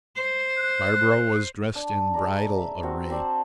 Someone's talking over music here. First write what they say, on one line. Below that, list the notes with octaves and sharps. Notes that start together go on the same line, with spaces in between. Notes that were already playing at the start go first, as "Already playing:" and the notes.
Barbara was dressed in bridal array.
C5
F#6
D4
G#3 D5 A#5
E5
C4 F#4
C4 C5 D5 A5